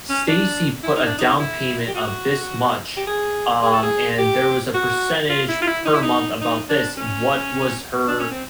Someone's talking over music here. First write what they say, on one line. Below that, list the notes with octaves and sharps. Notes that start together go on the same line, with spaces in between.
"Stacy put a down payment of this much, um, and there was a percentage per month about this, what was her
C#4
D4
E4
D#4
D4
D#4
E4
G4
F#4
G4
G#4
G#4
A4
G#4
G4
F#4
F4
E4
F4
E4
D#4
E4
D#4
D#4
D4
C#4
D4
C#4
C4